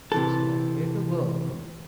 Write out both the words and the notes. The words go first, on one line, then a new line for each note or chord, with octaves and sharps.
There is a long way to go.
C3 E3 A4